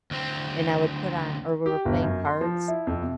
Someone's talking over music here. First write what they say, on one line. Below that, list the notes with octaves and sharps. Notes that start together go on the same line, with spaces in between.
and I would put on or we were playing cards,
D2 C4
G4
G1
F#2
C6
F3
E4
F2
C3